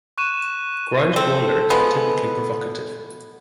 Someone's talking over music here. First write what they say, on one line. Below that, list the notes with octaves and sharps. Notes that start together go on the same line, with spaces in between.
Grindcore lyrics are typically provocative.
C#6 F#6 D#7 E7
C4 A4
F3 G#3 B3